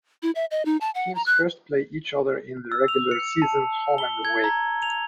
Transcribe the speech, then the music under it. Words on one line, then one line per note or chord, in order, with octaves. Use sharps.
Teams first play each other in the regular season home and away.
E4
E5
D#5
D#4
A5
F#5
A#5
F#6
E6
F7
C#7
A5
G7
G#6
A#5
F7